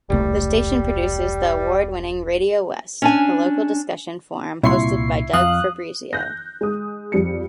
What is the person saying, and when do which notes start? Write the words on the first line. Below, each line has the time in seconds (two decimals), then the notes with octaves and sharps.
The station produces the award-winning "RadioWest", a local discussion forum hosted by Doug Fabrizio.
0.10 E1 C2 G3 A3
3.02 C#4 D4 G#5
4.63 C2 A#2 E4 C6 C#6 C7
5.33 F2 F5 D#6 F#6
6.13 F#6 G6 A#6
6.61 G#3 D#6
7.12 F2 G3 C#7